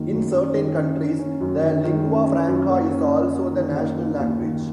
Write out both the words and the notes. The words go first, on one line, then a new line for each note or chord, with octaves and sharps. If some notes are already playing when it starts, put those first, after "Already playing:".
In certain countries, the "lingua franca" is also the national language.
Already playing: F#2 D#3 A#3
F#2
C#4
D#3
C#4
C#4
C#4
F#2
D#3
D#3
C#4
C#4
F#2
A#3
C#4
C#4
C#4
D#3
A#3
A#3
D#2
D#3